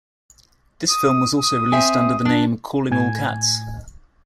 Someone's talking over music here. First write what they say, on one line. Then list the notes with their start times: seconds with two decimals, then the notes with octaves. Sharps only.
This film was also released under the name 'Calling All Cats'.
0.90 D#6
1.39 D#6
1.72 C4 E5 G#5
2.25 D4
2.91 A2 G#5 G#6